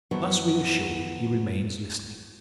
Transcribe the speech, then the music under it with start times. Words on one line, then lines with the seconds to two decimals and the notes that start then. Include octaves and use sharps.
Thus reassured he remains listening.
0.11 F#2 D#3 F3 F#3 B3 E4